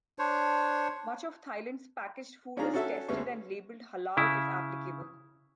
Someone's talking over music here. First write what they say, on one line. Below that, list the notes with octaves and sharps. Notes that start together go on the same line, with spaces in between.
Much of Thailand's packaged food is tested and labelled halal if applicable.
D4 C5 C#5
D#3 C#4 D4 F4 G#4 A#5
C#4 F#4 A4 E5
D2 G#3 B3 C#4 C#6
C#3 E4